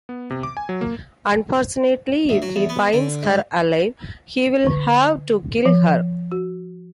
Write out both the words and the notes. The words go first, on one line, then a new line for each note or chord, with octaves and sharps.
Unfortunately, if he finds her alive, he'll have to kill her.
B3
C3
D6
G#5
F#3
A#3
D2
F#3
E2
B3
D3
G#2
D3
F3
F#4